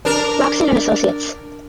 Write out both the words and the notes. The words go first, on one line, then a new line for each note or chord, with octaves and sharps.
Locsin and Associates.
D4 A#4